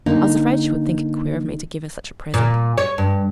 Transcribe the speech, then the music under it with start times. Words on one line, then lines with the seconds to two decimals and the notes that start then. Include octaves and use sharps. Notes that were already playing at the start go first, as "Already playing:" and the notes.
I was afraid she would think it queer of me to give her such a present.
0.06 D3 A#3 D#4
2.34 A#2
2.78 C#5
2.98 G2